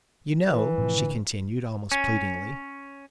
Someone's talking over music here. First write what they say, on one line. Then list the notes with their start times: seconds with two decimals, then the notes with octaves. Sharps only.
"You know," she continued, almost pleadingly.
0.47 E3
0.78 A2 C3 F3
0.96 A1 D3
1.92 C#4